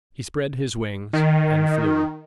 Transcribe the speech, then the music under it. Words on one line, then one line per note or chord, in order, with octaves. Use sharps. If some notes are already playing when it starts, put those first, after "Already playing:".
He spread his wings and flew.
D#3